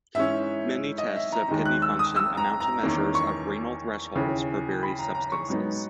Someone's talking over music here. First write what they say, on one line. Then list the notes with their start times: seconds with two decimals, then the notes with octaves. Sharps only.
Many tests of kidney function amount to measures of renal thresholds for various substances.
0.15 G#2 E3 G#3 C#4 E5
0.98 D#5
1.16 E5
1.32 A#5
1.48 D#2 D#3 G#3 D#4 A#5
1.65 F#6
1.82 E6
1.99 D#6
2.16 E6
2.37 A#5
2.60 A#5
2.83 E2 D#3 A#3 C#4
3.15 C#6
4.15 D#2 C#3 E3
4.83 B5
4.99 A#5
5.15 A#5
5.32 C#6
5.48 G#2 F#3 B3 D#4